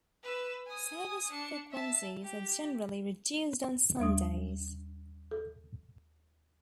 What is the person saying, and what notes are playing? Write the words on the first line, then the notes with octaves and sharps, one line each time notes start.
Service frequencies are generally reduced on Sundays.
B4 E6
G#5 D#6
D4 C#7
E5 A5
G4
D#2 G3 D4 D#6
A4